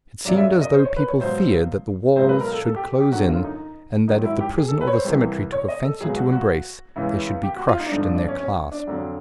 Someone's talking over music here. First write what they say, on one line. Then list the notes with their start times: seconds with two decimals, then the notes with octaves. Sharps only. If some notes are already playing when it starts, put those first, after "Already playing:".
It seemed as though people feared that the walls should close in, and that if the prison or the cemetery took a fancy to embrace, they should be crushed in their clasp.
0.25 F#2 C#3 F#3 D5
0.37 E5
0.48 D5
0.61 D#5
0.74 C5
0.85 C#5
0.96 B4
1.08 C#5
1.20 C#2 B2 F#3 C5
2.16 C#2 B2 F#3 C5
2.29 B4
2.40 A#4
2.53 A4
2.65 A4
2.76 G4
3.00 G4
3.12 F#2 D3 F#3 F#4
3.28 F4
3.44 D#4
4.08 G#2 D#3 F#3 D#4
4.25 E4
4.40 G4
4.56 G#4
4.68 A4
4.81 B4
4.87 C#5
4.92 C5
5.04 C2 C3 E3
5.52 C#5
5.68 D#5
5.84 A4
6.01 C#2 B2 F#3 G#4
6.16 F#4
6.32 F#4
6.96 C#2 C#3 E3
7.43 G4
7.56 F#4
7.68 F4
7.80 D#4
7.87 D4
7.92 G2 D3 F3 D#4
8.04 D4
8.16 D4
8.28 C#4
8.40 C#4
8.72 D4
8.87 F2 D3 F#3